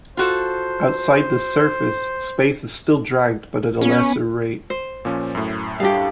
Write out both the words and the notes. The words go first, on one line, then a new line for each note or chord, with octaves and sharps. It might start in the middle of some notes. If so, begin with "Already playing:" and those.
Outside this surface, space is still dragged but at a lesser rate.
F4 F#4 A4 C5
B3 C#4
C5
A#2 F3 C#4
F#2 A2
G3 D4 G4 F5